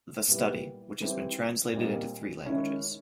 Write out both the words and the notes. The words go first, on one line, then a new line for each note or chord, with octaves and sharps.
The study, which has been translated into three languages.
A#2 G3 B3 E4
E3 G3 C4 E4
A#2 G3 C4 D#4
D#3 G#3 C#4 E4